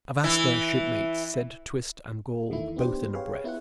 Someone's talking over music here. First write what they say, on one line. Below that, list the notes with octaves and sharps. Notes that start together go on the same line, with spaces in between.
"Avast there, shipmates!" said Twist and Gall, both in a breath.
E3 E4
E2 D#3 A3 E4
B3 D4 G4 B4 C5
G4 G#4 B4 C#5 F5 G5
B3 E4 F4 B4 F#5